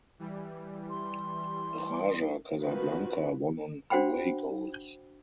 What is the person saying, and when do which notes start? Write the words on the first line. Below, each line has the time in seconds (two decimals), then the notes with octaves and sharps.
Raja Casablanca won on away goals.
0.19 E3 G3
0.90 C6
2.62 D#3 F3 C4 F#4 B4
3.90 D4 F#4 C5 F#5 G5 B5